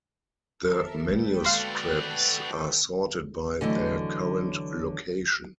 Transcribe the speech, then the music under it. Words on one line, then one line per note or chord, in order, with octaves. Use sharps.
The manuscripts are sorted by their current location.
A4 A#4 E5
G#3 A#3 A4 B4 G5
F#4 D5 F5 C6
A6
D3 E3 F#3 A3 F#4 D#5